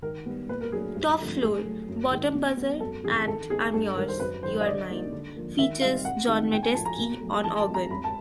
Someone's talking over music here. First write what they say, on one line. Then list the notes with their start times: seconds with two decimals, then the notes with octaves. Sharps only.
"Top Floor, Bottom Buzzer" and "I'm Yours, You're Mine" features John Medeski on organ.
0.02 D#3 A#4
0.26 G3 B3
0.49 A#2 B4
0.61 A#4
0.72 F#3 A3 D4 G#4
0.95 G2
1.19 D3 F3 A3 C4
1.42 A2 G#4
1.65 F#3 A3
1.88 F#2
2.11 D#3 G#3
2.34 B2
2.57 G3 B3
2.80 F#2 A4
3.04 C#3 E3 G#3 C4 G#4
3.27 D#3 A4
3.50 G#3 B3 D#4 G#4
3.74 G2 A4
3.96 D#3 G3 A#4
4.08 C5
4.20 F#2 B4
4.43 D#3 F#3 C5
4.61 D#5
4.66 D3 D5
4.89 G3 A#3 D#4
5.12 D3
5.36 F3 A#3
5.58 D#3 E5
5.81 G3 C4 D#4 F5
6.05 C3 F#5
6.28 D#3 G#3 C4 D#4
6.52 A2 G5
6.63 G#5
6.74 F3 A3 A5
6.85 A#5
6.98 B2
7.21 F#3 A3
7.44 E3 A5
7.59 A5
7.67 A3 C4
7.74 A#5
7.90 F2 B5
8.04 A5